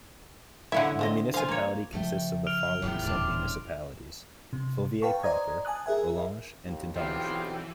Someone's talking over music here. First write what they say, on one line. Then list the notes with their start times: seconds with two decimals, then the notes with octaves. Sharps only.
The municipality consists of the following sub-municipalities: Fauvillers proper, Hollange, and Tintange.
0.72 D3 C#4 E4 E5 F#5
0.99 C4 A4 D#5
1.34 F4 C5 F5 G#5
1.49 A#3 C#5
1.93 C#3 F3 A3 G5
2.47 F6 D7 F7
2.82 E2 A2 D#3 E4 F4
3.03 D#1 D3 C4 D4 D5
4.53 C3
5.02 B4 F5 G5 A5 C#6
5.23 C5 D5 D#5 A#5 D#6 G#6
5.65 G#5 A5 D#6 F#6
5.86 G#4 A#4 E5 G#5
6.65 D#2
6.95 B1 E3 C4 F4 G4 G5